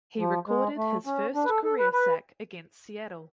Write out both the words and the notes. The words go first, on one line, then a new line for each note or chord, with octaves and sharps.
He recorded his first career sack against Seattle.
F3
G#3
A3
C#4
D4
B4
A4
A4
B4
B4